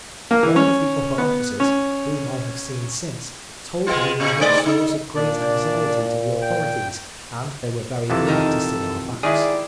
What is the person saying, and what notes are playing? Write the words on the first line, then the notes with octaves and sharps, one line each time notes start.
One of the upper officers, whom I have seen since, told me we were a source of great anxiety to the authorities, and they were very glad to see our backs.
A#3
E3
C#4
B3
C#4
G#3 B3 F4
A#2
G#2 A3 D5
D#4
A#2 D4 D5
G5
F2 C3 E3 A4
D#3 D#4 A#4
D#3 G#3 E4 G#4 D5